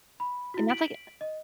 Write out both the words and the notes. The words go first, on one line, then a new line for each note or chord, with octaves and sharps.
And that's like
B5
E4 F#4
B6 D7 F#7
D#5